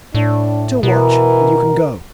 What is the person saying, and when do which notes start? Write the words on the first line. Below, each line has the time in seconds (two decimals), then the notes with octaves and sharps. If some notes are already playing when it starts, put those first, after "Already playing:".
Til watch, and you can go.'
0.15 A2 D4
0.83 B2 E3 A#4